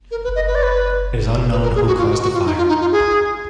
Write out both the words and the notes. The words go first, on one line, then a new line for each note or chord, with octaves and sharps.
It is unknown who caused the fire.
A#4
B4
D#5
B4
D5
B4
B4
A#4
G#4
F#4
F4
F#4
F#4
F4
D#4
F4
D#4
F4
G#4